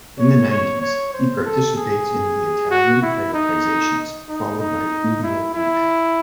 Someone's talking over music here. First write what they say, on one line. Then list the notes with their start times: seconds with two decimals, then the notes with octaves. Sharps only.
In the nineties, he participates in the Italian privatizations followed by Mediobanca.
0.19 C#5
0.50 C#5
0.82 C#5
1.13 C5
1.45 A4
1.76 G#4
2.71 F#4
3.02 E4
3.34 D#4
4.29 D#4
4.60 D#4
5.23 E4
5.55 E4